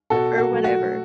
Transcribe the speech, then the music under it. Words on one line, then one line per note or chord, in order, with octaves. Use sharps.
or whatever."
B2 F#4 A4
F#4
F#3 A3
F#4